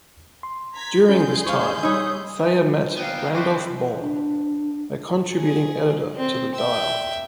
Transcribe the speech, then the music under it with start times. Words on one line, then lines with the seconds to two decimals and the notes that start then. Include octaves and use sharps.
During this time, Thayer met Randolph Bourne, a contributing editor to The Dial.
0.43 C6
0.73 A#5 G#6 B6
1.09 C#4 G#4 C6 G6
1.46 C5 F5 C#6
1.83 G3 D#4 C#5 B5 D#6 E6
2.39 G3 B4 C5 G#5
2.97 B3 D#4 F5 G5
3.35 F3 C4 E4 C#6 D6 F#6
4.00 D4
5.34 G#4
6.16 C4
6.55 E5 G5